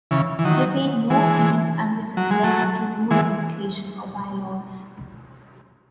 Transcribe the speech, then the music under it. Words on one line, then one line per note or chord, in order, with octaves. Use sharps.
They paid no fees and were subject to no legislation or bylaws.
C#3 E3
E3
D#3 F#3
E3 G#3
F#3
G#3
F#3 A3
E3 G#3